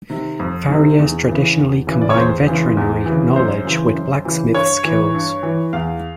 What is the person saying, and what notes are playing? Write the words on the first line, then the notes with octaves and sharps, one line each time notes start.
Farriers traditionally combined veterinary knowledge with blacksmiths' skills.
C3 D#3
F2
C3 D#3
E2
C#3 E3
E2
C#3 E3
D5
C#5
E2 C5
C#3 E3
E2
C#3 E3
F#2 C5
C#3 E3
F#2
C#3 E3
G2 C#5
E3
G2
E3
E2 F5